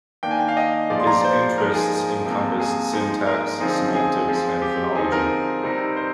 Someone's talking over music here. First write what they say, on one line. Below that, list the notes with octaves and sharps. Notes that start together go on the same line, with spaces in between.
His interests encompassed syntax, semantics and phonology.
D#3 A#3 D4 G5
G#5
G5
F5
D#5
A#2 F3 G#3 D5
C6
A#5
D5
C5
F3 G#3 D#4 A#4
G#4
C3 F3 A#3
G#4
F3 G#3 D#4
A#4
D3 F3 C4 D#4 G#4
G#4
F3 G#3 C4
G4
D3 F3 C4 D#4 G#4
A#4
C3 G3 C4 D#4
C5